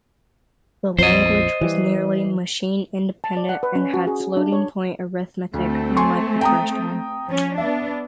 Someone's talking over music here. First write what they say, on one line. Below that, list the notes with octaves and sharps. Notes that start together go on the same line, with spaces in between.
The language was nearly machine-independent and had floating-point arithmetic, unlike the first one.
A#1 F2 F3 C5 D#5
E3 G3
A5
D5
F#5
B4
C#4
F#4
G#4
F#4
D4
C#5
D2 A3 C4
G#5 C6 C#6
G5 A#5 D#6
F3 C#4
B3 D4 E5